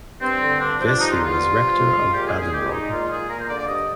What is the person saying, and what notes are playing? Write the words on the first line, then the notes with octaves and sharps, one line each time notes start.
Vesey was Rector of Ballinrobe.
G2 C4
D3
G2 D4
F3 C4
D4
G2 D#4
F4
D3
F4
G2
F3
G#3
G#3
A#2 G4
G#4
A#2
G#4
G#3 G4
G#3 D#4
A#2 F4
A#2 G#4
A#3 A#4
C5
D3 D5
D5
G2 D#5